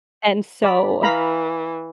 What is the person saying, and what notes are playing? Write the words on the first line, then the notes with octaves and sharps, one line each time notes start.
and so,
D5 B5
E3 F5 A#5 B5